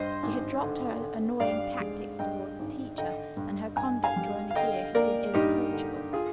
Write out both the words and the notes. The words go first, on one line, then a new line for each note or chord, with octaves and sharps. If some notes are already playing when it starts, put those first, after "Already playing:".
She had dropped her annoying tactics toward the teachers, and her conduct during the year had been irreproachable.
Already playing: G2 C5 D#5
G#1
D3
D3
G2 D5 F5
G#3
G2 D#5 G5
G#1
D3 D#5 G5
G2
G2 G#5
F5 G#5
G3
F5
D3 D#5 G5
A#3 A#4 D5
G2 D#4 G4
D3
F4 G#4